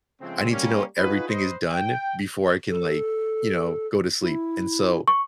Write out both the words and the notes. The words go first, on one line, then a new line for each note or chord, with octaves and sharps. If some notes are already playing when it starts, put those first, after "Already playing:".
I need to know everything is done before I can, like, you know, go to sleep, and so
C#3 F3 G#3 A3 C4
G3 A#3 C#4
D#4 F4 F#4 G#4 B4
B4 C5 D#5
G5
A4
E4
C#6